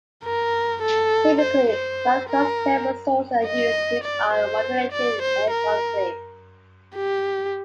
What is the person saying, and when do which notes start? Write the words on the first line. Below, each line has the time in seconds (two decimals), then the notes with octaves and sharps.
Typically, low cost thermal sources are used which are modulated electronically.
0.25 A#4
0.82 A4
1.41 C5
1.70 C5
2.29 A#4
3.45 D#5
4.04 D5
4.33 C5
4.92 D5
5.22 C5
5.50 A#4
6.96 G4